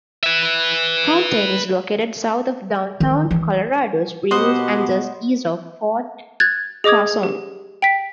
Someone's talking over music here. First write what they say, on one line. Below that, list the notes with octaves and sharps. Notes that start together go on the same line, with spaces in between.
Fountain is located south of downtown Colorado Springs and just east of Fort Carson.
B4 E5
D#3
E3
B2 G4 C5 D#5 F#5
F#6 G#6 A6
G#4 D#5 D6 D#6 G#6
G4
G5 B6